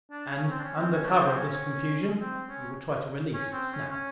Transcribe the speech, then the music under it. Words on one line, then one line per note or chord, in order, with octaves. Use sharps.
And, under cover of this confusion, we would try to release Snap.
D4
C#4
C4
D4
C#4
C4
C#4
D4
C4
C#4
C#4
C4
C#4
C#4
C4
C#4
C#4